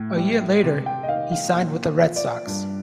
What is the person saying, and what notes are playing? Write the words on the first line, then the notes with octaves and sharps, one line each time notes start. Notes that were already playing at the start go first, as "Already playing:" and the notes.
A year later, he signed with the Red Sox.
Already playing: A2
G3
C3
G5
D#5
D#3 F5
F5
A#2
F3
D5
G2